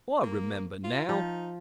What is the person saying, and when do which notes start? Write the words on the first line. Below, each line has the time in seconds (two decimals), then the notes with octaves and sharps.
I remember now!
0.23 A#3
0.84 F4
1.09 F3 D#4